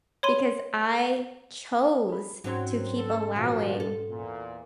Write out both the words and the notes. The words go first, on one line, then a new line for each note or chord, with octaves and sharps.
because I chose to keep allowing
C#5 B5 C6 D#7
G#4 B5
G#2 F#3 C4 C#4 C#5 C6
A4
F#2 A#2 D#3 F3 F#4
A4
E2 A#2